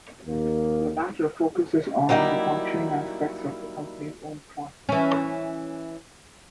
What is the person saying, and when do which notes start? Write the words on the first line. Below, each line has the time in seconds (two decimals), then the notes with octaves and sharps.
The latter focuses on the functional aspects of the company's own product.
0.25 D#2 A#3
2.09 F#3 G3 A#3 D#4 E4
4.89 E3 C#4